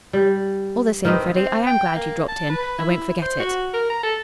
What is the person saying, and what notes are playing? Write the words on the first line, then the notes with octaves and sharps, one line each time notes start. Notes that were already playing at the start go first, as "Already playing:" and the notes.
"All the same, Freddy, I am glad you dropped in: I won't forget it."
G3
D#3 C4 B4 D#5
C4
G5
A#3
A5
B4
E4
C5
F#4
A#4
A#5
A4